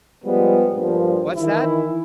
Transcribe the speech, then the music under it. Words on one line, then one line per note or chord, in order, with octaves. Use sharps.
"What's that?"
F3 G3 G#3 B3
G2 A#2 F3
D#3 E3 E4